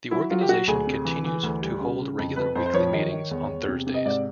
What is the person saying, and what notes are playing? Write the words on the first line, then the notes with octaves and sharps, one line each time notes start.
The organization continues to hold regular weekly meetings on Thursdays.
F#3 E4
F#3 F4
G4
F#3 F#4
D2 G#4
C3
E3
E3
D2
G3
C#3
C#3
F2
F2 B4
F2 C5
C5
F3 C#5
D#3
D#3
E2
E2
C3
C3
D#5
G#2 D5